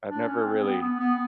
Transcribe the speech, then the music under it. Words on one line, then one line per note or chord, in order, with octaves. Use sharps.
I've never really
D4
C#4
C4
B3
B3
B3